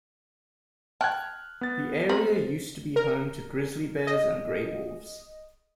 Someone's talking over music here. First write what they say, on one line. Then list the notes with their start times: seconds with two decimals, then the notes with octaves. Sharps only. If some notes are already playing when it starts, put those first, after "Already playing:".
The area used to be home to grizzly bears and gray wolves.
1.01 G5 A5 F6 F#6 G#6
1.61 B3 A6
2.09 C4 A#4 B5
2.96 A#4
4.07 D#5